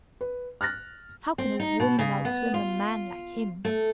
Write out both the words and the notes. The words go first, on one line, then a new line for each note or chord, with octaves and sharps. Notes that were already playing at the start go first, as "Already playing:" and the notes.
How could a woman outswim a man like him?
B4
F6 F#6 A6 A#6
C4
D#4
B2
C#3
B3
F4
A3